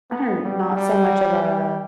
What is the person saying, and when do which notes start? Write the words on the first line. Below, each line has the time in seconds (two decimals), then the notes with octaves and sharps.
I don't not so much of a
0.11 B3
0.44 G3
0.76 G3
1.43 G3